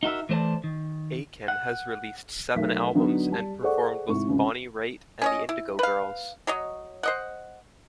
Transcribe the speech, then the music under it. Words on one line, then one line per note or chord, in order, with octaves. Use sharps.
Aiken has released seven albums and performed with Bonnie Raitt and the Indigo Girls.
D#4 F#4 A#4 E5
E3 A3 C5 D5 A5
D#3
F#5
B1 A3 A#4 B6
D3 F#3 B3 D4 D#4
G3 A5
G#4 A4 C5 D5 F#5 C#6
G#2 C3 E4 C#6
C#2 C3 C#4
C#4 C#5 D#5
E4
B4 F5
F#3 C#5 D#5
C5 D#5 F#5